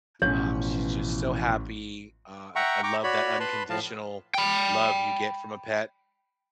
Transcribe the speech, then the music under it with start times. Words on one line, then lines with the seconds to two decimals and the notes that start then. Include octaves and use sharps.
um, she's just so happy, uh, I I love that unconditional love you get from a pet
0.22 A1 B2 E3 F3 C#4 C#5
2.56 E5 F#5 G5 A#5 C#6
2.83 G5 A#5 C#6 D6
3.04 F#4 C#5 D5 B5
3.40 B4 A5 B5 C6
3.70 A2 F3 F5 A5
4.34 G5 B5